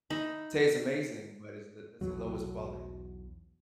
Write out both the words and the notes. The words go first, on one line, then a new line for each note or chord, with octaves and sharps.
tastes amazing, but it's the it's the lowest quality.
D#4 E5 B5
B1 E2 B2 F#3